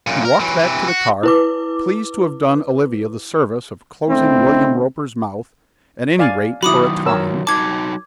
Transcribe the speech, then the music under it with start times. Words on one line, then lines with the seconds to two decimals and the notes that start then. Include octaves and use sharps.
He walked back to the car, pleased to have done Olivia the service of closing William Roper's mouth, at any rate for a time.
0.07 F#2 A#2
0.25 A#4
0.40 E3 F#3
0.59 C3 E3
0.88 F#4
1.23 E4 B4 D6
4.08 B2 D3 A3 C4 D#4 E4
6.19 D5 F5 G#5
6.63 D#3 F#3 E4 F#4 B5 D6 D#6
7.06 A#4 C#5 E6
7.47 F#3 D#4 A5 D6 G#6